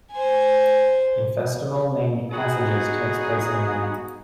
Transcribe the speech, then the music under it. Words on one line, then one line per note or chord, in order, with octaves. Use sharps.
A festival named "passages" takes place in May.
C5 G#5
B3 D#4 F#4 G#4